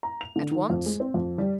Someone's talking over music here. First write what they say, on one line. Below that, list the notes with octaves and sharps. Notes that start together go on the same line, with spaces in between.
"At once?"
A#5
F7
D3
D#3
F2
G#3
C4
F2
G3